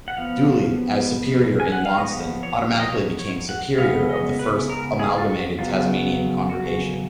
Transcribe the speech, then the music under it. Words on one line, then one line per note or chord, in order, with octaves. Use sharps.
Dooley as Superior in Launceston automatically became Superior of the first amalgamated Tasmanian Congregation.
F#5
F3 B3 F5
G#5
F#5
F5
F3 B3 D#5
C#5
F5
D#5
C#5
C#5
F#5
C#3 G#3 B3 F5
D#5
B4
A#4
G#4
F4
F#4
C#3 F#3 B3 F4
F#4